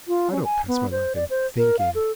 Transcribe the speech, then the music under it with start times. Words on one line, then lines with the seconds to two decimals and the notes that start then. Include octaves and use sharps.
"I don't pass my life in thinking."
0.08 F4
0.32 C#4
0.44 G#5
0.68 B3
0.91 C5
1.15 D5
1.30 C5
1.58 A#4
1.79 F5
1.95 A4